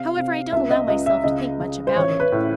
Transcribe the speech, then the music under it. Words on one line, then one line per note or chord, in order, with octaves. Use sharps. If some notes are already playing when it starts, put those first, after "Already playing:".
However, I don't allow myself to think much about it.
Already playing: C3 F5
C3
C#2 E5
D#5
C#2 D#5
E5
C#3 D#5
C#3
C5
A1 C#5
B4
A2